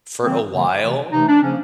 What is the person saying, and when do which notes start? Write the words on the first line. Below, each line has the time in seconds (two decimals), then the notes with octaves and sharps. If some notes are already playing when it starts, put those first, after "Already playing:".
for a while,
0.23 C#3 E3 G3 A#3 C4
0.53 C#3 E3 G3 A#3
0.83 C3 E3 A3
1.12 C3 E3 A3 D#4
1.28 D4
1.42 C#3 F3 A#3 C#4